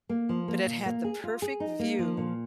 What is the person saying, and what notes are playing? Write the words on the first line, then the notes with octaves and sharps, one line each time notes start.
but it had the perfect view
A#3
F3
A#3
A#2
A#3
G#4
F4
G#4
D#4
A#3
F3
A#2